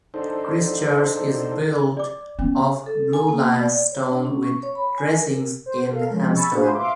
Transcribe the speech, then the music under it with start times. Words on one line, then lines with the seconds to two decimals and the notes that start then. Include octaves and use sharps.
Christ Church is built of Blue Lias stone with dressings in Hamstone.
0.14 D4 D#4 A4 C5
1.97 D5 D6
2.39 B3 C#4
2.86 A4
3.13 G#5
3.28 A#3
3.60 D5
3.92 C#5
4.12 D4
4.25 C#4
4.43 C#6
4.63 C#5
4.75 B5
4.98 G#5
5.20 A#4
5.66 C5
5.91 A4 A#4 F5
6.10 F3 G#3 C#4
6.34 G#5 B5 C#6 E6 A6
6.51 D4 F4 F#4 G#4 B4 C5
6.73 E5 F5 C6 D6